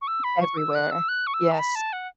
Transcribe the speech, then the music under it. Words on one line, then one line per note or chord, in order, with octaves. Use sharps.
Everywhere. Yes.
C#6
E6
B5
C#6
E6
F#6
E6
F#6
C#6
E6
A5
B5
A5
F#5